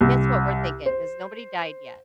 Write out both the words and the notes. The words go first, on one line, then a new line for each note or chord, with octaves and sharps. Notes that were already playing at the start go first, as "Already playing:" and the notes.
That's what we're thinking 'cause nobody died yet.
C2
C5